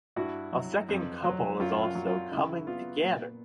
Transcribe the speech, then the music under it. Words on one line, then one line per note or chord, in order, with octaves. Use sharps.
A second couple is also coming together.
G2 E4 F#4
F#3
F2
F#3
F#2 F4
F4
F#3
F4
C#3 E4
B3 F4
A#2